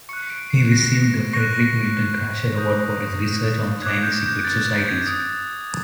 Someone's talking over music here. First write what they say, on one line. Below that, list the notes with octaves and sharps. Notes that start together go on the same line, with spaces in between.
He received the Frederic Milton Thrasher Award for his research on Chinese secret societies.
C#6 F#6 C#7
D7
C7
A#6
C#6 F#6 A#6
D#6 G6
D6 F#6 G#6
G6
G6
A6
A6
G#6
D#6 G6 G#6